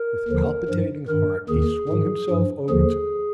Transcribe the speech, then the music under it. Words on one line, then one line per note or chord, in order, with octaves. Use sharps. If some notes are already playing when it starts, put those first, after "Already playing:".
With palpitating heart he swung himself over to it.
Already playing: A#4
D#2 D3 F3
G2 F3
G2 D#3 A#4
D#2 D#3 G#4
G#2 D#3
G2 F3
D#2 D3 F3 G#4